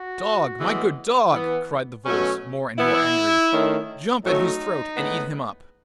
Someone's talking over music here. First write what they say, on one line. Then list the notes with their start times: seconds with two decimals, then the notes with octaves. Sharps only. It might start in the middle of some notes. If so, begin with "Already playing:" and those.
'Dog, my good dog,' cried the voice, more and more angry, 'jump at his throat and eat him up.'
Already playing: F#4
0.59 A2 E3 G#3 B3
1.31 E3 B3
2.05 B2 F#3 A3 C#4
2.78 E3 B3 E4
3.50 D#3 A3 C#4
4.23 A2 F#3 A3 C#4 D#4
4.96 A2 G#3 B3